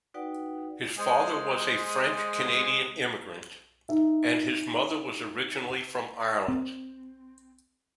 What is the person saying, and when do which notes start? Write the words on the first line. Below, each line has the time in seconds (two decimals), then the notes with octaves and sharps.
His father was a French-Canadian immigrant, and his mother was originally from Ireland.
0.14 D#4 F#4 B4 D5 F#5 G5
0.98 G#3 C5 G#5
3.89 D#4 E5
6.48 C4